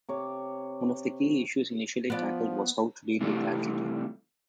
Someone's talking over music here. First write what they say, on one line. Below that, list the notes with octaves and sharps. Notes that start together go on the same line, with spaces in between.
One of the key issues initially tackled was how to deal with altitude.
C3 C#5 D6
F3 B3 D5
C3 E3 G3 A3 C4